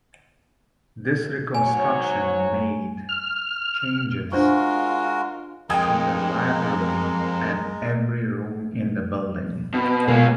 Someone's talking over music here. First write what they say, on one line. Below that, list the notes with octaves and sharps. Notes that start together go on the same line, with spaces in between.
This reconstruction made changes to the library and every room in the building.
G#2 F#3 C#5 G#5
F6
G#3 D4 F4 F#4 A#4 C5 C#6
F2 G#3 A#4 G5 D#6 G#6
B2
B2 G#3 A#3 F4